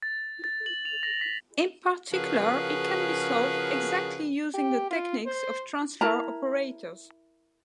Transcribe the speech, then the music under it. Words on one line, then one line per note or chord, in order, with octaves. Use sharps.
In particular, it can be solved exactly using the techniques of transfer operators.
A6
A6
F#7
F7
A#6
B6
C#3 F3 F#4 G#4 A#4 B4
G4
F4
C5
E4 A#4 A5 A#5